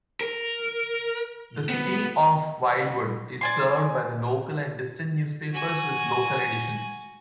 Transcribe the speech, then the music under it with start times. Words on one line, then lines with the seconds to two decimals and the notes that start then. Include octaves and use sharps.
The City of Wildwood is served by local and distance newspapers with local editions.
0.21 A#4
1.69 B3
3.41 D5 G#5 C6
5.53 F#4 G#5